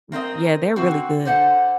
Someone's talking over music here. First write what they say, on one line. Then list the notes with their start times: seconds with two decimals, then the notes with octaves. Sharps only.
W yeah, they're really good.
0.12 A#3 C4 A#4 D#5
0.76 D3 C4 F#4
1.25 D3 C5 F#5